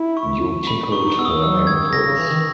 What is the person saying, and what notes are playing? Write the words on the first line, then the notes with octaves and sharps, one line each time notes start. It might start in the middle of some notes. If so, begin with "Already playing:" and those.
You tickled her ankles.
Already playing: E4
C#6
B5
D#4 C#6
D#4 C#6
B3 E6
A#3 D#6
F#3 E6
D#3 G#6
C#3 A#6
C#3
E3
D#3